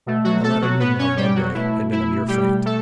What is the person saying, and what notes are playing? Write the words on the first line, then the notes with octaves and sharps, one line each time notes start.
The latter movement of Loveday had been a mere feint.
B2 A3
F#3 F#4
A3 A4
F#3 F#4
B3 B4
C#4 C#5
G3 G4
F#3 F#4
B2 A3 E4
E4
G3 G4
A3 A4